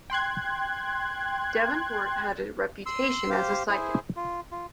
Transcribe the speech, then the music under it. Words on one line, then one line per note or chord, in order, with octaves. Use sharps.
Devenport had a reputation as a psychic.
G5 C6 F#6 G#6
C6 E6
G4 C5 F5
E4 G#4 C5
F4
F4